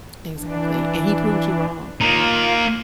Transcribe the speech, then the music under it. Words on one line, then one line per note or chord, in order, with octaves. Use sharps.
Exactly, and he proved you wrong,
E3 D4
A#3 D#4 F4